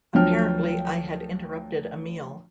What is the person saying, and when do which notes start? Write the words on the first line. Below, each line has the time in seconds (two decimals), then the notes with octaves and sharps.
Apparently I had interrupted a meal.
0.14 D2 F3 F#3 G5 F6